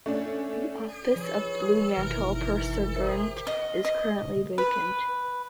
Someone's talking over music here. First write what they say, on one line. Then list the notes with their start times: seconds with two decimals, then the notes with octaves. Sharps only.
The office of Bluemantle Pursuivant is currently vacant.
0.06 A3 C#4 D4
1.16 F3 G#4 B4 C#5
1.97 G1 B2 D#3 E3
2.96 A#4 C5 E5
3.47 D#5
3.85 D#5
4.58 B4